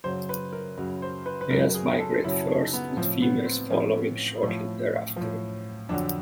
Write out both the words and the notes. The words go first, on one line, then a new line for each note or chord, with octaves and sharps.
Males migrate first with females following shortly thereafter.
F#2 C#3 F#3 C5
B4
A#4
F#2 C#3 F#3
C5
B4
B4
F#2 C#3 F#3 A#4
G#4
A4
F#2 C#3 F#3 E4
D#4
B3
A2 F3 C4
B3
C4
A2 F3 C#4
A2 F3
A2 F3
F2 D3 F#3 D4